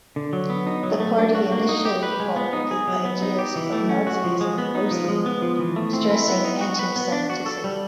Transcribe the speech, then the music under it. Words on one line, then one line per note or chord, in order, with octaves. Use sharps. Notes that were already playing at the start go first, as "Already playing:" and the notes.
The party initially followed the ideas of Nazism closely, stressing anti-Semitism.
D3
F#3
B3
D#4
F#3
A3
D4
F#4
A#3
D#4
G4
B4
G#3
B3
D#4
G#4
F#3
B3
D#4
G4
E3
A3
C#4
F#4
F3
G#3
B3
D#4
F3
G#3
B3
F3
E3
A3
C4
E4
B3
D#4
F#4
B4
B3
D4
F#4
A4
G3